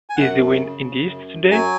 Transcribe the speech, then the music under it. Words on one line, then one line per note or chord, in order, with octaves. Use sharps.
Is the wind in the east today?
G#5
F#2 F#5
C#3
F#2
F#3 G#5